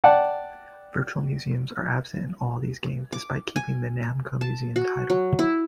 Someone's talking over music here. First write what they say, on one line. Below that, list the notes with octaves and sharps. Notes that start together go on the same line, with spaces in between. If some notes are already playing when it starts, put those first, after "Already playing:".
Virtual museums are absent in all these games despite keeping the "Namco Museum" title.
D5 F#5 G5 A5
D6
G#5
A5
F#4
F#3
E4